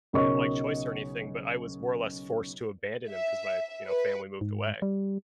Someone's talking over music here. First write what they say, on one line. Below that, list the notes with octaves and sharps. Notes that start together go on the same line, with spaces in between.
like, cha choice or anything, but I was more or less forced abandon him 'cause my, you know, family moved away.
B1 C#3 A#4 C#5 D#5 C#6
E5
B4
G#2
G3